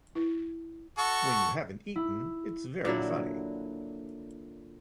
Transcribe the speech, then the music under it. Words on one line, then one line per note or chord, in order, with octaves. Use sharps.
When you haven't eaten, it's very funny.
E4
F#4 A4 C#6
E4
A#2 D3 F#3 E4